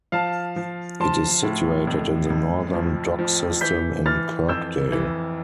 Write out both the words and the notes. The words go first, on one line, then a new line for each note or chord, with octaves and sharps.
It is situated in the northern dock system in Kirkdale.
F3 F5 A5
F3
F3 A5 C6
A2
F2
F2
F3
F3
E3 G6 B6
E3 F6 A6
F2 E6 G6
E3